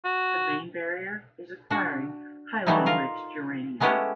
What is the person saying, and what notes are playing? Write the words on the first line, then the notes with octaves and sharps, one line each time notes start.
The main barrier is acquiring highly enriched uranium.
F#4
D4 F#4
E3 F#3 G3 A3 D#4 E4
F4 A#4
G#3 A3 B3 C#4 E4 G4